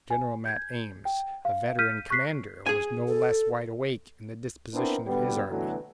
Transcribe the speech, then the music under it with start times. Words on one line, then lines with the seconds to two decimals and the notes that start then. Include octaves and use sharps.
General Mat Ames, a veteran commander, was no less wide-awake in the disposition of his army.
0.10 G#5
0.45 G6 G#6
1.05 G5
1.45 F5
1.79 F6 G6 B6 D#7
2.10 C#6 F#6 B6 C7
2.66 G#4 G#5
3.07 A4
4.74 B3 C4 D4 E4 A#4
5.07 B2 D3 G3 B3
5.49 B2 D3 E3 F#3 A3 B3